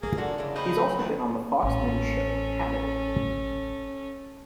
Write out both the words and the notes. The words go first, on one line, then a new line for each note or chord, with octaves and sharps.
He has also been on the Fox News show "Hannity".
A#3 G#4
D3 F3 D4 F#4
C#3 G#3 D4 E4
A2 D#4 C5 G5 B5
F#3
E2 F3 E4
A1 C#4 A4